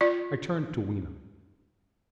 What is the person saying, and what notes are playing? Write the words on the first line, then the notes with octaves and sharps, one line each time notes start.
I turned to Weena.
F4 D5